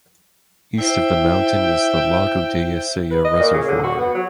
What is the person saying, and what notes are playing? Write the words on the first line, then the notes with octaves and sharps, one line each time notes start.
East of the mountain is the Lago della Sella reservoir.
E4 C5 E5 G5
B4
D#5
A#2
C#3
D3
F#4
B3
F#3